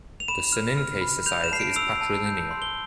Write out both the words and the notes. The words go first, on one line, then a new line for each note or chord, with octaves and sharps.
The Soninke society is patrilinear.
F7
B5 E7
F6
F6
B5
G6 F7
E7
A5 C7
D7
E6 F7
A5
G6
C6
G7